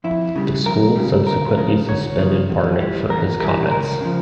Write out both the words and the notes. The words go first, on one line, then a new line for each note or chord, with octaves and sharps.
The school subsequently suspended Barnett for his comments.
F2 E4
C#3 G3
F2 A#4
C#3 G3
D2 A#4
C#3 F3 A#4
D2 C#5
C#3 F3
E2
E3 G3
E2 A#4
E3 G3 A#4
C#2 A#4
C#3 F3